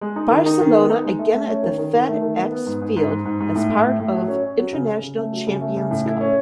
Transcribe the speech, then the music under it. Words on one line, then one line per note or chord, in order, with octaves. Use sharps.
Barcelona again at the FedExField as part of International Champions Cup.
G#3
D#4
D#3
D#4
D#3
B3
D#4
G#3
A3
A3
C#4
D#3
D#3
D#3
A3
D#3
B3
B3
G#2
G#2
G#2
G#2
G#2
G#2
A2
A2
A2
A2
F#3
C#4
C#4
F#3
C#3
C#3
C#3
A3
F#3
C#3
A3
C#3
A2
E4
C#4